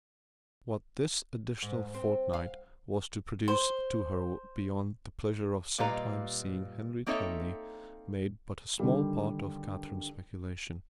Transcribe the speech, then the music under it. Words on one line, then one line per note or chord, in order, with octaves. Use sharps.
What this additional fortnight was to produce to her beyond the pleasure of sometimes seeing Henry Tilney made but a small part of Catherine's speculation.
G#2
C4
F5
C5
A#2 G3 B4 D#5 F5 A#5
A#3 C4 D#4 A4 C#5 E5
D3 D#3 G3